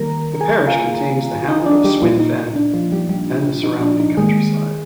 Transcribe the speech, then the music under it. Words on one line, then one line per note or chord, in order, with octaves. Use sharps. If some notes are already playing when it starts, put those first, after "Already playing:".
The parish contains the hamlet of Swinfen and the surrounding countryside.
Already playing: D#3 G3 A#3 A#4 A#5
G#4 G#5
F4 F5
D#4 D#5
D4 D5
G3 G4
A#2 F3 G3 A#3 F4
D#4
D#4
D4
F3 F4
G3 G4
G3 G4
D#4
D4
D#4
D#3 G3 G#3 A#3 G#4